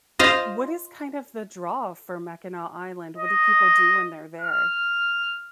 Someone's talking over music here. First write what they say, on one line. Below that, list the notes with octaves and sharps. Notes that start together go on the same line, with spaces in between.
what is, kind of the draw for Mackinac Island? What do people do when they're there?
F4 C5 D#5
D#5
F6